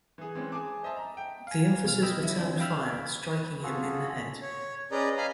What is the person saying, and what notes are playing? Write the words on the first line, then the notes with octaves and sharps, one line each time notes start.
The officers returned fire, striking him in the head.
E3 G#4
E3 G#3 C4 C#4
G#4 G#5 A5 D6
C5 D#5 E5 A5
A#5
G5
F5 G#5
B2 F6
D#5 G5 B5 E6
D3 F#3 E4
C4 D4 F4
F5 G5 B5 E6 F6
B4
F4 F#4 G#4 A4
C#5
C#4 G#4 B4 D5 D#5 A#5
D#5 F5 G#5 A#5 B5